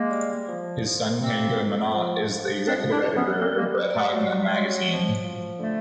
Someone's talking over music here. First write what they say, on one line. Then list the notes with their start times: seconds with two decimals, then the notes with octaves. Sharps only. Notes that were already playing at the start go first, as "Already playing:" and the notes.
His son Tanguy Monnat is the executive editor of Bretagne Magazine.
Already playing: G#3 A#3
0.10 G3
0.46 F3
0.83 F3
1.19 C3 A#3 C4
1.56 F2
1.93 F3
2.30 F3
2.66 D#3 C4 D4
2.90 D4 E4
3.03 F#2
3.15 B3 C#4
3.40 G3 A#3 C4
3.57 G#3 A#3
3.76 G3
3.95 A3
4.12 F#3 A3
4.50 F#3 G#3
4.86 F3
5.23 F3
5.59 D3 A3